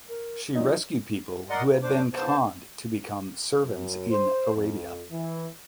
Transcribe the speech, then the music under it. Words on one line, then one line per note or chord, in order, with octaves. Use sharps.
She rescued people who had been conned to be come servants in Arabia.
A#4
F#3 D4 D#4 F4
A#4 D5 D#5 F#5 C6
A#2 C#3
F#2 D3 D4 C5 D6
C#3 B3 C5 A5
F#2
C5
F2
E3